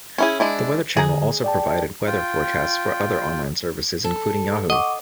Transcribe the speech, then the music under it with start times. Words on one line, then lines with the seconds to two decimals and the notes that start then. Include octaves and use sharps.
The Weather Channel also provided weather forecasts for other online services including Yahoo!
0.18 C#4 E4 G#4
0.40 G#3 D4 E4
0.97 D3 G#4 A#5
1.44 D5 G5 A5
2.07 F4 G5
4.04 A4
4.70 D#5 F#5 C#6 D6